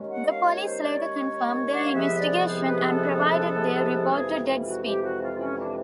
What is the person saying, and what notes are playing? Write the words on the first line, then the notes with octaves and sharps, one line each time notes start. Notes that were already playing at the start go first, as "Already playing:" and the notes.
The police later confirmed their investigation and provided their report to Deadspin.
Already playing: D#2 D#3 G#3 C#4
F#5
F5
C#5
C5
C#5
D5
C#5
F#5
F5
C2 C3 F3 G#3 B3 E5
D5
C5
B4
A4
F2 C3 E3 G#3 G#4
F#4
G4
F#4
F4
C#4
D4